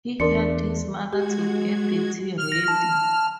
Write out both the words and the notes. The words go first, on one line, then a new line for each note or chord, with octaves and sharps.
He helped his mother to get the tea ready.
E2 D4 A#4 C6 C#7
G#3 F#4 G4 G#6
F6
A#6
A5